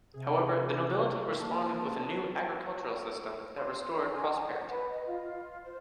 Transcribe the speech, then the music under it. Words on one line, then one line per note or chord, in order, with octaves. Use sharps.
However the nobility responded with a new agricultural system that restored prosperity.
C3 G#4
A#3 A5
B4
C6
G#5
F#5
B4
D#5
F4
C5